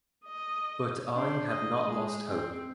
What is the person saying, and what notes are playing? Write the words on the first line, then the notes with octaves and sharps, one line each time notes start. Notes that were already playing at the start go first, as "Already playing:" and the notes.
But I have not lost hope.
D#5
D4 C5
D#5
G#3
C4